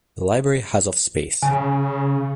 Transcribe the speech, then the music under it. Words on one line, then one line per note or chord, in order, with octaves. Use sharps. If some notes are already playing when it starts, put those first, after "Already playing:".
The library has of space.
C#3 G#5